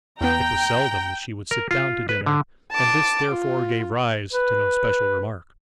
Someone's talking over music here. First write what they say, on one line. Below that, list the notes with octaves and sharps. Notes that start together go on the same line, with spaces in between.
It was seldom that she would sit down to dinner, and this therefore gave rise to no special remark.
E2 B3 G5 A#5
A#4
F4
B4
D3
A5 D6
F4
B4